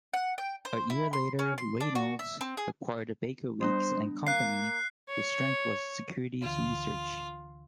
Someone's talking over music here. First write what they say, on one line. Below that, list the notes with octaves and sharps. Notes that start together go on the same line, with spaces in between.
A year later, Reynolds acquired Baker Weeks and Company whose strength was securities research.
F#5
G5
C5
E4
C6
C#4
C6
D4
F#4
E5
C4
G#4
G3 B3 D4 C5
A#3 F5 F#6 C7
C#5
D2 D3 E3 F4